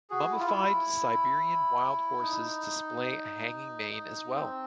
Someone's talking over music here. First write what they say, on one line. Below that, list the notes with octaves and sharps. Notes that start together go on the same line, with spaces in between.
Mummified Siberian wild horses display a hanging mane as well.
F#4 G#4
E4
F4
E4
D#4
D#4
C4